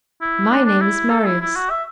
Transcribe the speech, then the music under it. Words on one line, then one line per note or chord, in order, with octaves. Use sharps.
My name is Marius.
E4
D4
D4
E4
A4
E4
E4
F#4
E5